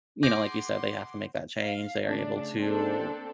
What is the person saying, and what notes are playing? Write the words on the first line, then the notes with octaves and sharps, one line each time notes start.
you know, like you said, they have to make that change, they are able to
G#4 F#5 C6 D6 G6 A#6
F5
C#3 A3 D4
A#3 C4 D4 A4